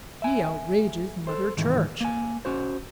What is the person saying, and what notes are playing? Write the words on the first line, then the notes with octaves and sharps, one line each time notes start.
"He outrages Mother Church."
E5 G#5
A4 C5
C2 G#2 D#3 E3
A#3 G#5
C#4 F#4 C5